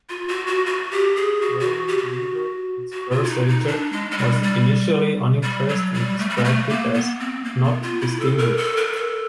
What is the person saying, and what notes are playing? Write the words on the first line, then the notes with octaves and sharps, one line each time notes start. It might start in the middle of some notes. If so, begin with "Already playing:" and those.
Raymond Weaver, its first editor, was initially unimpressed and described it as "not distinguished".
F4
F#4
F#4
F#4
G4
G#4
F#4
F#4
G4
F#4
F#4
F4
E4
D#4
D#4
D4
G#3
G#3
G3
G3
G3
F#3
G3
A3
G3
G#3
A3
A#3
B3
C4
A#3
B3
F4
E4
A4
A#4
A4
A#4
A4